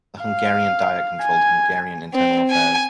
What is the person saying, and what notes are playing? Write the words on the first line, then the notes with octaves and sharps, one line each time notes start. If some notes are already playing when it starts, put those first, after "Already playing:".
The Hungarian Diet controlled Hungarian internal affairs.
F5
G#5
C4
G#5